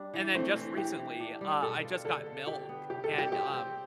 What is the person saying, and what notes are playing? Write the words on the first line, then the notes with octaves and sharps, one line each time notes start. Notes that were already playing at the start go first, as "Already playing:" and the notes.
and then just recently, uh, I just got milk and, um,
Already playing: G3 D4
E3
A3 C4
E3
E3 G4
E3
D4
G3
B2 A4
F4
D3 A4
D3
D3 G4
B3
C3 G4
A4
G3
G4
C4 G4
C4